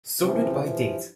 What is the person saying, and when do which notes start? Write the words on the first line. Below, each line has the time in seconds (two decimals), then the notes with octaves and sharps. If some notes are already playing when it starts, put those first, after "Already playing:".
Sorted by date.
0.20 C#2 C3 E3 F3
0.62 G2 E3 F3